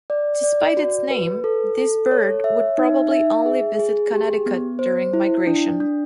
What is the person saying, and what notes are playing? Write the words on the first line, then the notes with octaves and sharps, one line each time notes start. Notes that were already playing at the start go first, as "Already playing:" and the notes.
Despite its name, this bird would probably only visit Connecticut during migration.
D5
D5
F#4
B4
A4
A4
C#5
E5
D#4
E5
G#4
G#4
G4
B3
C5
E4
D4
D4